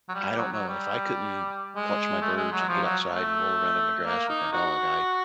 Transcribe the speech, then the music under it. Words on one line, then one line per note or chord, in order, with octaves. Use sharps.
I don't know, if I couldn't watch my birds and get outside and roll around in the grass with my dog, I
F#3
G3
F#3
F#3
G3
G#3
A3
G#3
F#3
F3
F#3
A3
A#3
D#4
F#4